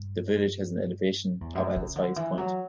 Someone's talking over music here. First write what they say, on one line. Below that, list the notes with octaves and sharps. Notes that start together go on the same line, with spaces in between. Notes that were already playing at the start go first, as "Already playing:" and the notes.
The village has an elevation of at its highest point.
Already playing: G2
E2
F#2
C#3
D3
E3
F#3